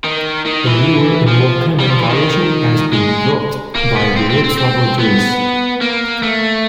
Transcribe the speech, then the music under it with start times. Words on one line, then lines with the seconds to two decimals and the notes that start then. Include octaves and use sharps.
A newer, and more common variation, has been developed by Deluxe Laboratories.
0.04 D#3
0.45 D#3
0.66 E3
1.28 F3
1.80 G3
1.90 F3
2.00 E3
2.10 D#3
2.93 G#3
3.76 A#3
3.96 B3
4.16 C4
4.30 C4
4.44 C4
4.58 C4
4.99 B3
5.81 A#3
6.23 A3